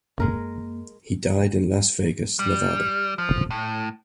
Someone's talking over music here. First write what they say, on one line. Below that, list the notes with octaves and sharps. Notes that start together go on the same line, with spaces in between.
He died in Las Vegas, Nevada.
F#2 G#3 A#3 A#4
G3
F3
A2